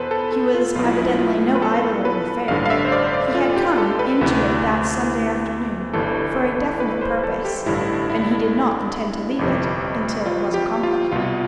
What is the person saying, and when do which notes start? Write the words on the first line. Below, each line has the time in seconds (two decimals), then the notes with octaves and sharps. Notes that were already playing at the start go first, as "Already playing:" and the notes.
He was evidently no idler in the fair; he had come into it that Sunday afternoon for a definite purpose, and he did not intend to leave it until it was accomplished.
Already playing: E2 B2 A4 B4 C5
0.11 A4
0.32 A4
0.54 F4
0.76 B1 B2 F4
0.84 E4
1.02 E4
1.19 F4
1.55 B4
1.62 A4
2.05 B4
2.48 A1 G2 D3 F5
2.66 F5
2.70 E5
2.85 C5
2.92 D5
3.04 C5
3.13 D5
3.35 F4
3.56 G4
3.78 A4
3.99 B4
4.21 D2 C3 E3 B4
5.93 G1 G2 E3 A4
6.80 B4
7.01 C5
7.24 A4
7.45 G4
7.66 A1 G2 D3 E4
8.09 E4
9.39 G1 F2 C3
10.26 F4
10.54 G4
10.83 F4
11.12 C2 B2 F4